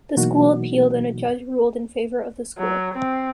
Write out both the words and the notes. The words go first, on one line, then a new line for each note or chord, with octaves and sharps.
The school appealed and a judge ruled in favor of the school.
B2 E3 F#3 A#3 D#4 F#4
F#3
C4